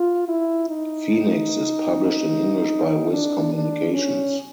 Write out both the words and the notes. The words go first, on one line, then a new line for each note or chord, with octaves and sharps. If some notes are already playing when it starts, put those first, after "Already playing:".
Phoenix is published in English by Viz Communications.
Already playing: F4
E4
D#4
D4
D4
C#4